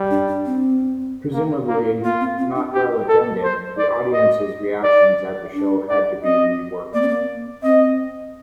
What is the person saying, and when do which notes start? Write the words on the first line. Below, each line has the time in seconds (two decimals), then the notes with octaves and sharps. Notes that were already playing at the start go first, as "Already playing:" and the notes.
Presumably not well attended, the audience's reactions at the show had to be reworked.
Already playing: G3
0.11 D4
0.28 D4
0.46 C4
1.33 A#3
1.68 A#3
2.04 A#3 F4
2.21 C4
2.38 C4
2.55 D4
2.73 G4
3.08 A4
3.44 C5
3.78 D5
4.13 D#5
4.83 D5
5.54 D4
5.89 D5
6.24 C4 D#5
6.94 A#3 D5
7.02 C4
7.09 A#3
7.63 C4 D#5